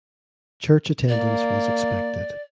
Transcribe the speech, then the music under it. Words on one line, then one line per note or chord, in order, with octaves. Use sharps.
Church attendance was expected.
A#3 D5